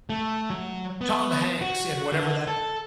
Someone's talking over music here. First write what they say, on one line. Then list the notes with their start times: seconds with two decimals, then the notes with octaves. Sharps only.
Tom Hanks and whatever that
0.10 A3
0.50 F#3
1.01 B3
1.61 F#4
2.12 D3
2.48 A4